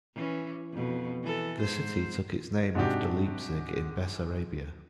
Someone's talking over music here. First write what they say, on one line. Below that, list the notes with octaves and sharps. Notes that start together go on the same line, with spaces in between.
The city took its name after Leipzig in Bessarabia.
E3 C#4
F2 B2
E3 A4
G#2 C5
G#2 C3 D4 F#4 G4